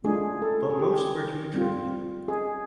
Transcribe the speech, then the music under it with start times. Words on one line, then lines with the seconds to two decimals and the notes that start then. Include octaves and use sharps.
But most were too trivial.
0.05 A3 D4 F4 G#4
0.42 A4
0.70 G#4
0.79 G4
1.54 G3 C4 F4
2.28 G#4